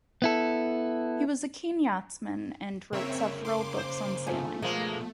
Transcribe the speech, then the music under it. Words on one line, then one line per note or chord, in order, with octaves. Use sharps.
He was a keen yachtsman, and wrote several books on sailing.
B3 E4 A4
C#3 A#3 C4 A#4 C#5 E5
C6 D6
C5
G#2 F3 A3 G#5
B2 F3 G#3 A#3 D4